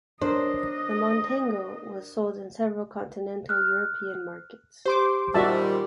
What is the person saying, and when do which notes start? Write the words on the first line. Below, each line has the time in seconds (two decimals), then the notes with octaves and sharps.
The Montego was sold in several continental European markets.
0.22 D4 A#4 C5 D#5
3.49 F6 F#6
4.86 G4 C5 C6 D6
5.34 A#2 D#3 G3 F#4 E5 A5 E6